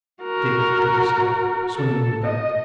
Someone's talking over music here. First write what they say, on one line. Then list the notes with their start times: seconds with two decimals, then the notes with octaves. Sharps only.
Dick took a step, swinging the belt.
0.23 F#4 A#4
1.76 A4
2.24 D#5